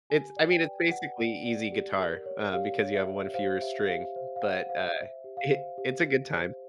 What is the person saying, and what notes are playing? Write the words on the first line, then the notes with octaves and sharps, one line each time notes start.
It's I mean, it's basically easy guitar, uh, because you have one fewer string, but, uh, it it's a good time.
G4 G#5
D5
G5
B4
B4 F#5
D5
D5
G4
A#4
C#5
G4 F5
C#5
E5
G4
C5 F5
G4 E5
G4 F5
C5
F5
C5 F#5
C5 F5
C5 E5
G4
F5
C5
G4
G4
C5